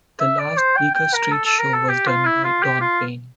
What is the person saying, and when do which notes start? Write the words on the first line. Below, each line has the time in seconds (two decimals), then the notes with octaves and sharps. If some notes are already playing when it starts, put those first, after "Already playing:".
The last Beaker Street show was done by Don Payne.
0.20 E5
0.38 D5
0.57 C5
0.77 G5
0.95 G5
1.14 A#4
1.32 A4
1.45 A4
1.59 A#4
1.74 A4
1.88 G4
2.07 F4
2.25 E4
2.44 F4
2.62 G4
2.81 F4